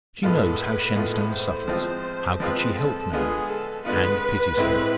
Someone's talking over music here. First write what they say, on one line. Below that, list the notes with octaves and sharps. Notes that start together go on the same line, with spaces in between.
She knows how Shenstone suffers--how could she help knowing? and pities him.
A2 G#3 B3 F4 A4
B4
A2 G#3 B3 F4 A4
C5
F3 G#3 C4 F4
F3 G#3 C4 F4 B4
A4
D3 G#3 B3 F4 G#4
A4
D3 G#3 B3 F4 B4
A2 G#3 C4 E4